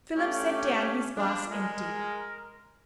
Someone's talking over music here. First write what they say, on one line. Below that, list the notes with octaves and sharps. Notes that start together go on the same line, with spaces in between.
Philip set down his glass empty.
A3 C#4 G4 D5
F3 D4
G#3 A#4